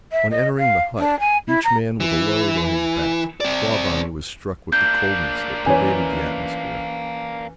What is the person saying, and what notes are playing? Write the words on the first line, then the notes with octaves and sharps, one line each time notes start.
On entering the hut, each man with a load on his back, Clawbonny was struck with the coldness that pervaded the atmosphere.
E5
D#5
F5
D4
G#5
E4
A#5
E3
C4 D5
A#3 D4 G6
E3 C#4 C#5 G#5